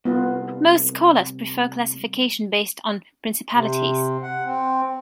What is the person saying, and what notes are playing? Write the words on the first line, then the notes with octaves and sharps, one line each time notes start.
Most scholars prefer classification based on principalities.
C2 B3 F4
C3
F#5
C4